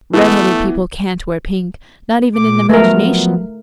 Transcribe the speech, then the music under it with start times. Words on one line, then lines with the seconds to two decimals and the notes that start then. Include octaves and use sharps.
Redheaded people can't wear pink, not even in imagination.
0.14 E3 A3 B3 E4
2.34 A#2 D6
2.70 F3 F#3 A3 B3 A#4